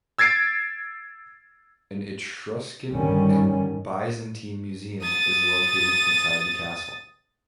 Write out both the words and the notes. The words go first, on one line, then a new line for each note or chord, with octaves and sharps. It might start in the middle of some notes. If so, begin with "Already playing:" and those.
An Etruscan and Byzantine museum is located inside the castle.
E6 G#6 A6 C7 D7
G2 D3 D#3 G3 C#4
D#6 A6